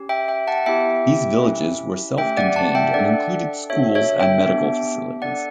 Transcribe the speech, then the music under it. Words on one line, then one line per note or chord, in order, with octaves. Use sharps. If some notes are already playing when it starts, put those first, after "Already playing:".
These "villages" were self-contained and included schools and medical facilities.
Already playing: C#4 G4
E5 G5
E5 G5
F#5 A5
B3 E4 G4 E5 G5
C#4 E4 G4
A3 C#4 G4 E5 G5
D5 F#5
F#5 A5
E5 G5
D4 A4 D5 F#5
D4 F#4 A4 C#5 E5
C#5 E5
E5 G5
B3 D4 G4
D4 A4 D5 F#5